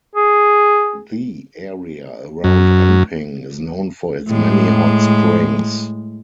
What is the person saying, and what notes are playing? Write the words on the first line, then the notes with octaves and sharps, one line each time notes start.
The area around Enping is known for its many hot springs.
G#4
F#2
A2 G#3